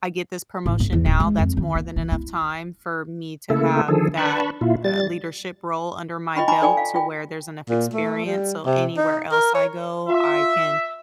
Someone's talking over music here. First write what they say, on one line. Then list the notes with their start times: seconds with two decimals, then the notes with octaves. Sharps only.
I get this promotion now, that's more than enough time for me to have that, uh, leadership role under my belt to where there's enough experience, so anywhere else I go, I can
0.66 A1
0.80 G1
0.92 E2
1.06 D1
1.20 G#3
1.38 F2
1.57 D#3
1.75 A#3
1.96 E3
2.12 E4
3.50 C#3 A3 A#3 E4 A4
3.88 D3 D#3 F3 G#4 A4
4.17 D4 B4 A5 B5 C#6
4.61 A#2 E4 F4
4.84 G3 A6
6.35 F4 D#5 G5 B5 C#6
6.48 G#5 A#5 B5 C#6 D6
6.62 A4 D5 G5 G#5
6.77 F5
6.95 F4 G5
7.69 A#2
7.93 A3
8.26 G3
8.66 C3
8.97 D#4
9.32 A#4
9.55 C#5
10.09 F4 E5